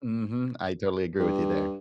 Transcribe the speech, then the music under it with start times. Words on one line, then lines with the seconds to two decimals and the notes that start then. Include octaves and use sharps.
Mhm, I totally agree with you there.
1.19 G2